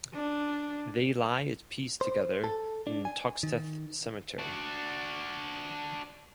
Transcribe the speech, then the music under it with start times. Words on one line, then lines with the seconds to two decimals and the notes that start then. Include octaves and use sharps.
They lie at peace together in Toxteth Cemetery.
0.13 D4
2.01 C5
2.44 A4
2.87 D4
3.05 G#5
3.43 D#3
4.38 D4 F#4